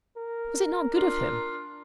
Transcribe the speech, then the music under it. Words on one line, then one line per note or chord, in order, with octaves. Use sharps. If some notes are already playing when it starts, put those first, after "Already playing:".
Was it not good of him?'
A#4
D4 F4